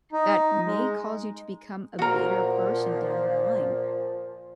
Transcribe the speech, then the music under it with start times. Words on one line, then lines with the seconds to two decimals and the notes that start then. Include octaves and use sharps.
that may cause you to become a bitter person down the line.
0.13 D#4
0.65 G#3
1.99 A#2 F3 F#4 A#4